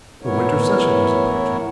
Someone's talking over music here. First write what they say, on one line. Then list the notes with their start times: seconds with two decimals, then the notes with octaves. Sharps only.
The winter session was approaching.
0.22 A2 E3 B3 E4 A#4 C#5